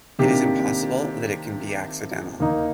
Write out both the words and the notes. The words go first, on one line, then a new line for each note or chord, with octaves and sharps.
It is impossible that it can be accidental!
C3 D#3 A#3 D4 G4
D#2 D#3 A#3 D#4